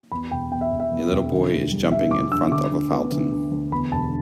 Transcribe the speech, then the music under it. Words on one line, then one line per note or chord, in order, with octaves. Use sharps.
A little boy is jumping in front of a fountain.
E2 B5
E1 G5
B2 G5
E5
E1
E5
E2
E1
D3
D2
G3
D2 E5
D3 D6
D2 E6
D3 D6
D2
B3
D2
D3
D2
E2 B5
E1 A5